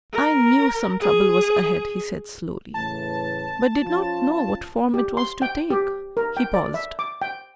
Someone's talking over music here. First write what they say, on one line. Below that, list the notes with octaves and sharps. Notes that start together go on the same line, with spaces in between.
"I knew some trouble was ahead," he said slowly, "but did not know what form it was to take." He paused.
A#4
G#4
A2 C#3 E3 A5
F3 C#4 F4
G4
C6
G5
G4
A#4
G5
D5
E5
D6
G5